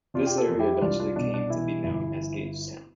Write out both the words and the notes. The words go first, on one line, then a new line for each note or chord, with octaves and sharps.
This area eventually came to be known as Gagetown.
C3 D4 F4
G4
F4 A4
F2
E4 G4
E4
C2 D4 F4
D4 F4
B2 D4
D4
E3 E4
G1 E4